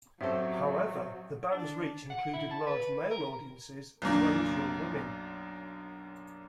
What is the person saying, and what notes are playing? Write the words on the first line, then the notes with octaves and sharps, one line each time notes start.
However, the band's reach included large male audiences as well as young women.
A1 F#3 C4 G4 A4 C5 E5
D4
F#5
E4
A5
B4
A#4
B1 F#2 A#3 D4